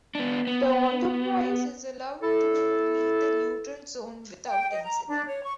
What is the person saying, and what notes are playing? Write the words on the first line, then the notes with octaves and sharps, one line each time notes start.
The "Enterprise" is allowed to leave the Neutral Zone without incident.
B3 D4
B3
E4 A4
G5
D#5
A#5
D4
C#5
C#6